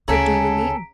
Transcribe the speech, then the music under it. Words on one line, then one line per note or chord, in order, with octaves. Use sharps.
"What do you mean?"
D2 C#3 G#4 A4 G#5 A#5 B6 D7